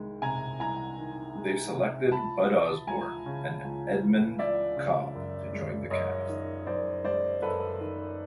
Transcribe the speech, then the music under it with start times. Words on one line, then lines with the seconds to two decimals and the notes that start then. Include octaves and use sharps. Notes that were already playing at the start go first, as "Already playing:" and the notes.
They selected Bud Osborne and Edmund Cobb to join the cast.
Already playing: C2 D#3 G#3
0.22 C3 G#5 A#5
0.60 C2 G#5 A#5
0.98 D#3
1.35 G#3
1.74 C3
2.11 C#2 A5 B5
2.49 E3
2.87 C#2 G#5 A#5
3.26 C#3
3.64 C#2
4.01 E3
4.39 C#2 D5 E5
4.77 C#3
5.15 F#2
5.53 G#3
5.90 F#2 C#5 D#5
6.29 D#3
6.67 F#2 C5 D5
7.04 G#3 C5 D5
7.42 F#2 A4 B4
7.80 D#3